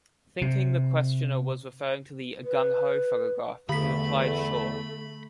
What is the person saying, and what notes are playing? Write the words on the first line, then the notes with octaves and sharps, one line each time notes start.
Thinking the questioner was referring to the 'gung-ho' photograph, he replied Sure.
C3
B4
E2 D3 A3 B5 B6